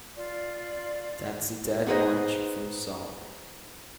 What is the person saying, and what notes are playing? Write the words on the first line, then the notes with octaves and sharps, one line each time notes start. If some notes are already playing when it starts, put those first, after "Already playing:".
That's the Dead March from 'Saul'.
F4 D5
B3 D#4 G#4 B4 C5 D#5